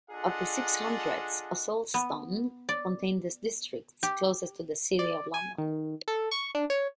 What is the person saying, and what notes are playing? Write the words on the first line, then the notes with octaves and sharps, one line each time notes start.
Of the six hundreds, Ossulstone contained the districts closest to the City of London.
D4 F4 G#4 A4 D#5 F#5
B3
D5
G4
D5
G#5
D#3
A4
C#6
D4
C#5